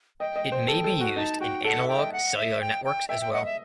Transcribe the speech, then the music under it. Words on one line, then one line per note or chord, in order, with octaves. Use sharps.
It may be used in analog cellular networks as well.
D#5 G5
D#5
C5
A4
A4
F#4
D#4 A5
F#4 G5
A4 F#5
E5
G5
D#5
F#5
E5
G5
G5
E5 G5
G5
D#5 F#5
E5